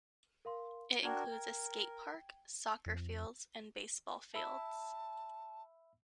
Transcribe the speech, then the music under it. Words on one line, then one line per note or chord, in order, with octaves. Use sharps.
It includes a skate park, soccer fields, and baseball fields.
A#4 F5 C6
D4 F#4 A#4 G5 G#6
A#4
F2
E5 A5 B5 E6